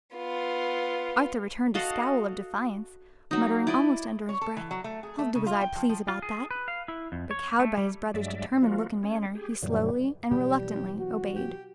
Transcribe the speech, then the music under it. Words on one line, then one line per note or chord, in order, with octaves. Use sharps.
Arthur returned a scowl of defiance, muttering almost under his breath, "I'll do as I please about that;" but cowed by his brother's determined look and manner, he slowly and reluctantly obeyed.
B3 F4
F#4 A4 D#5 F5
F#3 D#4
E4 D5 D#5
C#5
A4
E3
F#3
A3
G#4
A3
C#3
F4
G5
F3
F3
F4
G#4
B4
F5
E4
F2
C#5
A3
G3
G2 F#3 G#3 D5 E5
F3 A#3 F4 F#4
G#3 C#4
G4 G#4
F#2 A#2 D3 E3 F#3 G3
B2 E3 F#3 G3 G4
F#4
G4